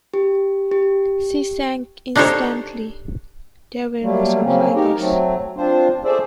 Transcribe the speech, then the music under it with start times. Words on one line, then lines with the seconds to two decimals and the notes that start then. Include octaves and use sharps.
She sank instantly; there were no survivors.
0.14 G4
0.71 G4
2.15 D4 D#4 G4 A4 C5 C#5
4.02 F#3 G3 A3 A#3
4.43 C#3 F#3 A#3 C4 C#4
4.75 D#4 G4 A#4
4.99 F#3 A3 C4
5.57 C4 D4 F4 C5
6.04 A3 G#4 C5 D5 E5